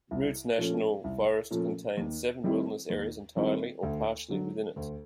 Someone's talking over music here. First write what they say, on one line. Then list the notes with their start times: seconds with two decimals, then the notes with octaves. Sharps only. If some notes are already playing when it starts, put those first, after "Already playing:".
Routt National Forest contains seven wilderness areas entirely or partially within it.
0.11 C2
0.58 A#2 F3 A3 C#4
1.04 C2
1.51 A#2 F3 A3 C#4
1.97 D#2
2.44 D#3 G3 C4 E4
2.90 D#2
3.37 D#3 G3 C4 E4
3.83 D2
4.29 D3 F#3
4.76 D2